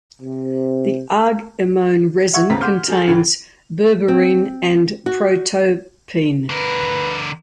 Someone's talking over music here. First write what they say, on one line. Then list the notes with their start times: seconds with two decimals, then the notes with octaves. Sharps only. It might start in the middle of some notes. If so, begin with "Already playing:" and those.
This argemone resin contains berberine and protopine.
0.21 C3
2.33 E5 F#5 C#6 G#6
2.50 D#1 C#3 B3 C4 A#5 B6
2.61 F#5 C6 D6 F6 G6
2.88 F#3 G#4 A4
3.07 D2 A2 E3
4.08 C4
5.06 F#4
6.50 D3 A#4 B4